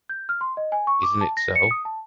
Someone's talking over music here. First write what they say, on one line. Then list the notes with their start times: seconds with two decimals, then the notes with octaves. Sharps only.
Isn’t it so?
0.09 G6
0.29 F6
0.41 C6
0.57 D#5
0.72 G#5
0.87 C#6
1.03 D6
1.21 A5
1.37 A#6
1.56 C#7
1.71 D#6
1.85 A5